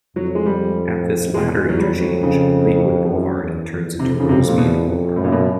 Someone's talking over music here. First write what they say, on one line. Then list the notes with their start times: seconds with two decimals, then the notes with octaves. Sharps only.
At this latter interchange, Lakewood Boulevard turns into Rosemead Boulevard.
0.16 F2 F#3
0.35 G#3
0.46 G3
1.34 E2 G#3
1.57 G#3
1.64 E2 F#3
1.79 G3
1.94 F2
2.01 F#3
2.23 C#3
3.11 F#2
3.40 E2
3.70 E2
3.99 F2 C3
4.20 C#3
4.29 F2 C3
4.48 A#2
4.58 E2 B2
4.88 F2
5.16 F#2 A2
5.24 A#2
5.32 B2